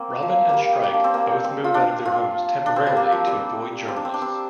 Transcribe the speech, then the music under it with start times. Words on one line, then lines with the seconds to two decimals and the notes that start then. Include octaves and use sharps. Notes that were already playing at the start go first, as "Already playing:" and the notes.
Robin and Strike both move out of their homes temporarily to avoid journalists.
Already playing: A#3 C4
0.23 F3
0.49 G3 A#3
0.83 A#3
0.94 D4
1.04 C4
1.14 A#3
1.45 C4
1.64 F4
1.74 D4
2.05 F4
2.66 D4
2.76 C4
2.87 G3
2.97 A#3
3.12 F3
3.27 G3
3.88 C4
3.96 D4
4.05 C4
4.14 D4
4.22 C4